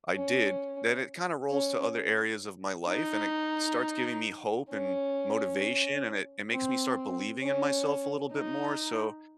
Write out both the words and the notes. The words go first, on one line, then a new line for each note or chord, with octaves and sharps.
I did- then it kinda rolls to other areas of my life and it starts giving me hope, and motivation, and it it makes me start believing in myself a little bit more, so
C#4
C#4
D#4
C#4
C4
C#4
D#4